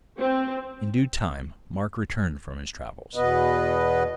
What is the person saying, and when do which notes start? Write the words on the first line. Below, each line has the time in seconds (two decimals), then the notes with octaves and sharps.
In due time, Mark returned from his travels.
0.19 C4
3.15 E2 B2 B3 B4 D#5